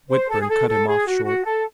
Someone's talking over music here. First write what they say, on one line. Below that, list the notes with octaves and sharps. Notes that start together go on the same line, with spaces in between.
Whitburn cut him off short.
C5
A4
G#4
A4
A4
G#4
F#4
F#4
A4